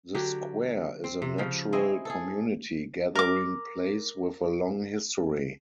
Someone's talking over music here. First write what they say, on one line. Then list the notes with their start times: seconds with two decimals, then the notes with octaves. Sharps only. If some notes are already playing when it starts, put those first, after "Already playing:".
The Square is a natural community gathering place with a long history.
0.15 D3 F#3 G4
1.04 C4
1.22 C3
1.38 C#3 F3
1.72 C4 E4 G#4 D#5
2.05 G#4 A4
3.15 A#4 D6